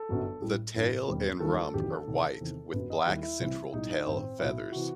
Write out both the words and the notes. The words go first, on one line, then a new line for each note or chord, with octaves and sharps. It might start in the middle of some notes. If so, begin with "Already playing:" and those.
The tail and rump are white with black central tail feathers.
Already playing: A4
G1 F#2 F#3
A1 A2 G3
A1 G2 E3
E1 D#2 D#3 G3
D#2 D#3 G3 A4
F#1 E2 D#3 F#3 G4
A4
C2 C3 D#3
E2 C3 D#3
G1 F#2 F#3 B4
D#5
D#2 D#3 G3 E4
E4
C2 C3 E3 G3
B1 A2 G3 D#4
D#4
A1 G2 D#3 C4
B1 A2 F#3 E4
C3 E3 F#4